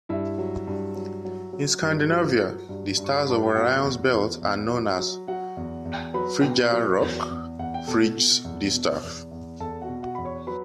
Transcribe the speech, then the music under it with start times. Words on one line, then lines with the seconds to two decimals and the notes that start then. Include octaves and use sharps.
In Scandinavia, the stars of Orion's belt are known as "Friggjar rockr", "Frigg’s distaff".
0.09 G2 E4 E5
0.38 F#3
0.67 G2
0.95 F#3
1.25 F#3
1.53 F#3
1.82 G2
2.11 F#3
2.39 F#3
2.69 G2
2.97 G2
3.04 C#6
3.18 B5
3.27 G2 A5
3.43 G5
3.55 B2 F#4 F#5
3.84 E2
4.12 E2
4.42 E2
4.71 F#3
4.99 F#3
5.27 F#3 F#4 F#5
5.57 E2
5.85 E2
6.14 F#3 B4 B5
6.44 B2
6.72 F#3
7.01 E2
7.30 E2
7.59 E2 F#5
7.74 G5
7.87 B2 A4 A5
8.17 B2
8.44 E2
8.74 B2
9.03 E2
9.31 E2
9.60 E2 A4 A5
9.82 F#4 F#5
9.89 B2
10.03 F#4 F#5
10.15 E2 B5
10.25 C#5 C#6
10.47 F#3 B4 B5